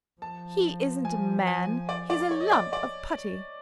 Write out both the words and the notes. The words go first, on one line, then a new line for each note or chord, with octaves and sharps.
He isn't a man: he's a lump of putty!'
F3 A5
G#5
G#5
D5
D5
C#5
D#5
D5
D5